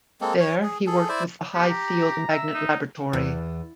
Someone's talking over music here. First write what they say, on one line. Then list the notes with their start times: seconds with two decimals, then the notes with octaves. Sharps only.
There he worked with the High Field Magnet Laboratory.
0.21 G#3 A#3 C4 A4
0.40 C#5
0.63 G#4
0.87 G#4 A4
1.09 E4 C5 D5 E5
1.55 B3 G4
1.70 A#5
2.29 E5
2.54 D#4
3.13 E2